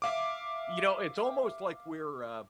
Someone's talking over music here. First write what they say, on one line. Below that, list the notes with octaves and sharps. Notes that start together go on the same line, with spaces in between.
You know, it's almost like we're, uh,
E5 F5 D6